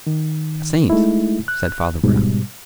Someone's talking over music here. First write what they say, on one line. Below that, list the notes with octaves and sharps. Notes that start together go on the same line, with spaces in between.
"A saint," said Father Brown.
D#3
G#3 A3 D#4 E4
F#6
G#2 B2 G3